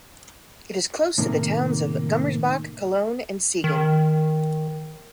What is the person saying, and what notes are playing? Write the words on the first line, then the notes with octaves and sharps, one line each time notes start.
It is close to the towns of Gummersbach, Cologne, and Siegen.
A2 C3 D#3 A#3
D#3